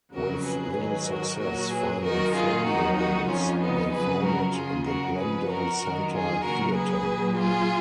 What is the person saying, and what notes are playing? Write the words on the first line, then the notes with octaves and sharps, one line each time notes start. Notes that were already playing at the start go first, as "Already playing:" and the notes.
With little success finding film roles, they founded the Glendale Centre Theater.
F2 C#3 F#3 F#4 A#4
G#4 B4
G#2 D#3 F#3
F#4 A#4
A#2 F#3 F#4 A#4
G#4 B4
F#2 D#3 F#3 F#4 A#4
F4 G#4
F2 D#3 F#3 D#4 F#4
D#4 F#4
F2 F3 C#4 F4
B3 D#4
F2 C#3 F#3 G#4 B4
F#4 A#4
F#2 C#3 F#3 F4 G#4
F#4 A#4
F2 F3 G#4 B4
F#4 A#4
F#2 D#3 F#3
F4 G#4
D#2 C#3 F#3 F#4 A#4
G#4 B4
A#2 F#3
F4 G#4